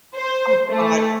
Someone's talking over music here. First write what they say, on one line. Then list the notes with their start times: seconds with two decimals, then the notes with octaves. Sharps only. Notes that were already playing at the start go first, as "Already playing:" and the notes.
Oh god,
0.15 C5
0.69 A3